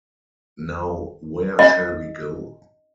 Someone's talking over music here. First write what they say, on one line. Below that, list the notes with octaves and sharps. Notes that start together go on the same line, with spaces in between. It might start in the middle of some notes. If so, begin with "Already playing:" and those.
Now where shall we go?
D#5